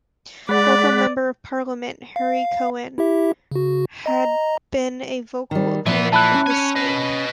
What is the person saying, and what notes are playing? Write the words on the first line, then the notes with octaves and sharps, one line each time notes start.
Local Member of Parliament Harry Cohen had been a vocal opponent of this scheme.
G#3 D5 F#5 B5
F5
E4 G4 E5
C#3 F#4
D#5 A#5
D#3 G3
A#2 E3 F3 B3 E5
E3 A5 B5 F#6
C#4
C#5 G#5
B4 D#5